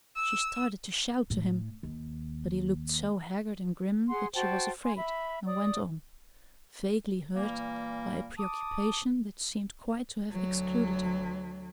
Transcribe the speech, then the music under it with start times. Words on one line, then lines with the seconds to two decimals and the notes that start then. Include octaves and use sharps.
She started to shout to him, but he looked so haggard and grim that she was afraid, and went on, vaguely hurt by a preoccupation that seemed quite to have excluded her.
0.16 E6
1.30 A2
1.83 D#2
4.09 G#4 F#5 C6
4.35 F#4 C5 G5 A5
4.84 G#5 C6
4.97 E5 B5
5.46 D5 D#6
7.35 A#2 E3 G3 A#3
8.38 A5 D6 D#6
10.32 D2 F#3